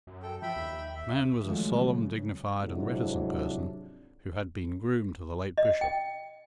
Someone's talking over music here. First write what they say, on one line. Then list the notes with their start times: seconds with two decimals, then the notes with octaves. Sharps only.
The man was a solemn, dignified, and reticent person, who had been groom to the late Bishop.
0.07 F#2
0.22 A4 G5
0.42 F3 E5 G5 B5
0.56 D#2
0.95 E5
1.44 D3 D#3 F3 F#3 G#3 A3
1.75 C#3
2.61 F2 G#2 C3 F#3 D4 E4
5.58 D#5
5.81 G5